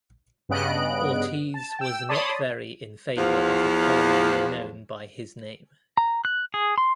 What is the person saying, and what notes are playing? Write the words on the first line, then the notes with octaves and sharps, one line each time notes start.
Ortiz was not very in favor of the column being known by his name.
G2 C#3 B3 D#5 F#6 D7
A5
G5 E6
C#5 D5 A5 B5 C6 D#6
E2 F3
A#5
F#6
G#4
C6